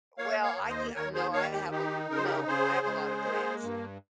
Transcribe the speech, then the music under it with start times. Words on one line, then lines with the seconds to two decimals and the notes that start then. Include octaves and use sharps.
R Well, I di uh, no I have a No, no, I have a lot of plants,
0.18 A#3 C#5 F5
0.43 C#5 F5
0.56 D#2
0.69 C5 D#5
0.95 D#2 A#4 C#5
1.14 G#4 C5
1.33 D#3 C#5 F5
1.53 G4
1.71 D#4 G4
2.10 C#3 A#4
2.17 C5
2.24 G4 A#4
2.48 C#3 G#4 C5
2.86 G#3
3.25 A#3
3.63 G2